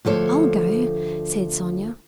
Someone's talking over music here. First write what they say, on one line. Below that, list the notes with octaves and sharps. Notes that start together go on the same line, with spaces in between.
"I'll go," said Sonya.
D2 F3 A4 C#5